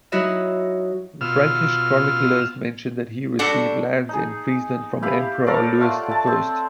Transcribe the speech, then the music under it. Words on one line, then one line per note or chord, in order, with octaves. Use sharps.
Frankish chroniclers mention that he received lands in Friesland from Emperor Louis the First.
F#3 D#4 E4 F#4 D#5 E5
B2 F4 E6 F6
G3 D4 F#4 A4 F#5
D#4 G#4
E4 G4 F5 B5
A4 A#4 C#5 D5
A3 F4 F#5
E5 A5
C4